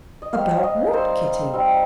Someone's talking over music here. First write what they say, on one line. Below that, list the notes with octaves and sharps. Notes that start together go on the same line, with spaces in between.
"About what, Kitty?"
D#5
G3 C4 D#4 F5
D#5 F5
G3 C4 D#4 C5
G3 C4 D#4